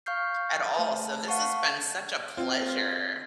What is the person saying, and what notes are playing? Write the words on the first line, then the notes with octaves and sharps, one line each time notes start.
at all, so this has been such a pleasure.
F5 C#6 F6 G6 C7
A3 B4 A5
F5 F#5 A5 C#6
C4 F4